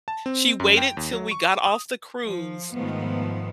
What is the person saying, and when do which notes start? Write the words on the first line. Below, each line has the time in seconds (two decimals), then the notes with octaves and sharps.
She waited till we got off the cruise
0.08 A5
0.26 C4
0.60 F#2
0.77 G5
0.97 D#2
1.12 F#3
1.31 C#6
1.66 D#6
2.25 F3
2.73 G#2 D#3 F3 A3 B3